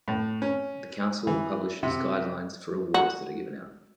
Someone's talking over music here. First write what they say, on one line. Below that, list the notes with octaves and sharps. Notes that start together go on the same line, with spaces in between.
The Council publishes guidelines for awards that are given out.
A2
C#4
E3
C3
F#4